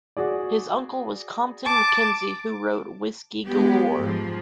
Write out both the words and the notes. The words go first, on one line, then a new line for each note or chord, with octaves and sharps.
His uncle was Compton MacKenzie, who wrote "Whisky Galore".
F#4 G#4 D5
A5 D6
G#3 B3 G4
G#2 F3